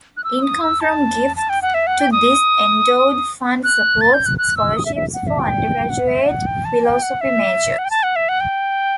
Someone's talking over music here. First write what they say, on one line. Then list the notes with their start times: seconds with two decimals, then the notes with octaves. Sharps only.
Income from gifts to this endowed fund supports scholarships for undergraduate philosophy majors.
0.17 F#6
0.24 E6
0.43 D#6
0.61 E6
0.81 A5
1.36 A5
1.49 G5
1.62 F#5
1.74 E5
1.87 F#5
2.00 G5
2.12 D#6
3.64 F#6
4.01 A6
4.14 G6
4.26 F#6
4.38 F#6
4.57 E6
4.77 D#6
4.86 E5
4.96 E5
5.14 F#5
5.27 E5
5.39 G5
5.90 F#5
6.08 E5
6.27 F#5
6.46 G5
6.65 A5
6.84 G5
7.02 F#5
7.21 E5
7.78 F#5
7.85 G5
7.90 A5
8.03 F#5
8.16 E5
8.29 F#5
8.40 G5